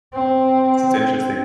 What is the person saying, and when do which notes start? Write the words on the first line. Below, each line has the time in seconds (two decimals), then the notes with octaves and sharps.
This is interesting.
0.13 C4